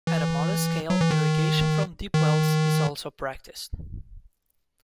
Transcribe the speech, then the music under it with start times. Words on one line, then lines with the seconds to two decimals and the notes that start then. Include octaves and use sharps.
At a modest scale, irrigation from deep-wells is also practiced.
0.07 E3
0.90 F#3
1.01 E3
1.11 D#3
2.14 D#3